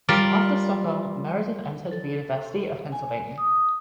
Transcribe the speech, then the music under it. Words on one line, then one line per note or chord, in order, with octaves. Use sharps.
After Stockholm, Meredith entered the University of Pennsylvania.
G3 F4 A#4 D5
A4
G#5
D#6